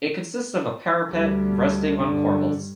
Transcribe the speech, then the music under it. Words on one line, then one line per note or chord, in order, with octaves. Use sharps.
It consists of a parapet resting on corbels.
D2 G3
G2 D3